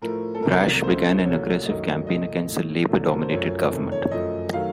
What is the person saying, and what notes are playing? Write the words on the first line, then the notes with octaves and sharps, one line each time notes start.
Brash began an aggressive campaign against the Labour-dominated government.
A2 F3 A3 A#4
A4
C2 C3 F#3 A3 A#4
A#4
C#2 C#3 F3 A3 C5
C2 A#2 F#3 A3 C#5
F#2 D#3 F#3 A3 D#5
C2 A#2 A3 D#5
A2 A3
C2 C3 F#3 A3
A4
A#4
C5
F#2 F3 A3 C#5
F2 C3 D#3 A3
C#5
F#2 F3 A3 D#5
D#3 F#3 A3 F5